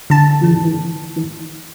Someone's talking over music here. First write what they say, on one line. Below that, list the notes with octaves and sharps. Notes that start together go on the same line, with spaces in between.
Mhm, mm.
D3 A5